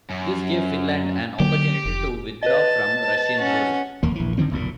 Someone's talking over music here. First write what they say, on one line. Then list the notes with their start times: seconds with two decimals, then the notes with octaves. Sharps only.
This gave Finland an opportunity to withdraw from Russian rule.
0.10 F#2
1.40 D3 F#3 A#3 G4
1.85 F1
2.43 B4 D#5 A5
3.37 C#4 F#5
4.03 F1 D#2 A#3
4.15 A#1 E3
4.38 F#1 D3 D#3 C4
4.51 F1 B1 A#2